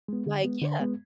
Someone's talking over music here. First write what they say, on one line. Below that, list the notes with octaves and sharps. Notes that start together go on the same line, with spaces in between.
like yeah.
G#3 B3
D3
G#3 B3
D3
G#3 B3